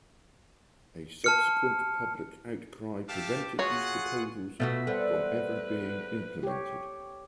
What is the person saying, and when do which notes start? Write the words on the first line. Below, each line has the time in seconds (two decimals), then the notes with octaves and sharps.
A subsequent public outcry prevented these proposals from ever being implemented.
1.24 A5 F6 C#7
3.09 A3 G4 E5 F5 A5 D6
3.59 F4 F#4 G#4 C#5 F#5 C#6
4.60 B2 A3 B3 F4 F#4 E5
4.87 G3 A4 B4 C5 F#5
6.43 G4 C#5